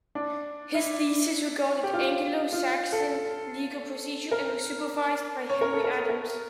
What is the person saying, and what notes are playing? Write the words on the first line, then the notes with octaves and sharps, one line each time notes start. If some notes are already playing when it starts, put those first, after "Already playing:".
His thesis regarded "Anglo-Saxon Legal Procedure" and was supervised by Henry Adams.
D4
E4
G4
F4
F4
A4
A#4
C#5
A#4
A4
A#4
A#4